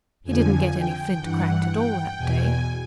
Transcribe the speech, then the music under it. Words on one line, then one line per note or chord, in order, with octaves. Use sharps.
He didn't get any flint cracked at all that day.
F2 D3 F3 G#5
G5
G2 E3 F#5
G5
E2 B2 G#5